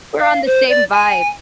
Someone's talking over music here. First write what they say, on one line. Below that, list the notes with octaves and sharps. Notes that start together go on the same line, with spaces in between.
We're on the same vibe.
F5
C5
D5
G#5